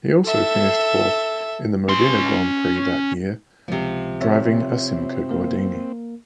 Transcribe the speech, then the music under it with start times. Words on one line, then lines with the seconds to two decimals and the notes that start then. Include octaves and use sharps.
He also finished fourth in the Modena Grand Prix that year, driving a Simca-Gordini.
0.25 A4 E5
1.89 C#4 C6
3.68 C#2 C3 F3
4.21 C4 C#5 E5
5.31 A#3 A#4